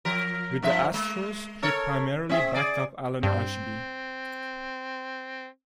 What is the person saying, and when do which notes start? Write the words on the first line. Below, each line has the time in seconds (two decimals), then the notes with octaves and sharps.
With the Astros, he primarily backed up Alan Ashby.
0.05 F3 A#4
0.62 G2 F3 E5
0.94 G#3
1.62 A4 A#4 C#5
2.29 C4 G#4 E5
2.54 G#4 D5
3.23 G2 C4